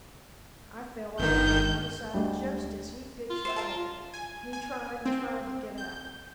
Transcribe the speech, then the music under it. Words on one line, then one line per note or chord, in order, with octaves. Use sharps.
I fell off on one side just as he pitched forward. He tried and tried to get up.
G1 D#3 G6
D2 G3 G#3
F4
C5 E5 G5
A#4 F5 A5
G#5
G#5
C4
G6